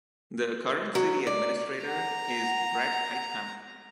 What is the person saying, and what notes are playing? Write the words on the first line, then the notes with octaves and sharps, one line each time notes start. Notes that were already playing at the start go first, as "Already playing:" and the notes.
The current city administrator is Bret Heitkamp.
F#3
D5
F#5 A#5